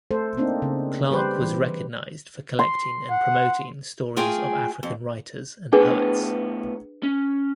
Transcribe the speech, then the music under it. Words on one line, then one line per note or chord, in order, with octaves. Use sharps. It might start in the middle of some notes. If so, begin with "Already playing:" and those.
Clarke was recognized for collecting and promoting stories of African writers and poets.
A3 A4 C5
A#3 C4 D4 D#4
C#3
G3 G4 B4 C5
E3
C6
F#5
A3 F4 G#4 A#4 G5 G#5
F2
A2 B3 D4 G#4 B4 G5
C#4